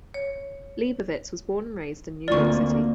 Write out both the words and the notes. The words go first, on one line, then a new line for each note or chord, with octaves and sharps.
Leibovitz was born and raised in New York City.
C#5
D2 A#3 C4 F4 D5 C#6